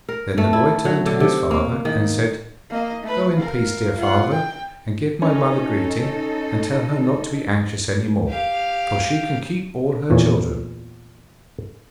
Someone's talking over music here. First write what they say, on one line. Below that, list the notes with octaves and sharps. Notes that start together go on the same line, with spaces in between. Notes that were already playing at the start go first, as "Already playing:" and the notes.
Then the boy turned to his father and said, 'Go in peace, dear father, and give my mother greeting and tell her not to be anxious any more, for she can keep all her children.'
A#4
A3
E4
F#3
D3
C3
A#3
D#3
A#3 D#5
A3 B4
A#4 F5
F4 F#5
G5
C#4 D#4 A4
G4 F5
E2 A#2 E3 C#5